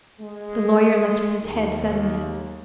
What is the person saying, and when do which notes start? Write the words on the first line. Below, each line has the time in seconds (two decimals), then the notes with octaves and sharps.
The lawyer lifted his head suddenly.
0.19 G#3
1.41 D#2